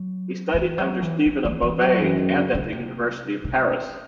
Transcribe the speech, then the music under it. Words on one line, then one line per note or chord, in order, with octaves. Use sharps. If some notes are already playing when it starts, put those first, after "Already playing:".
He studied under Stephen of Beauvais and at the University of Paris.
Already playing: F#3
E3
F#3
E3
E3
E3
E3
F#3
F#2 E3
D#3
C#3
C#3
C3
C3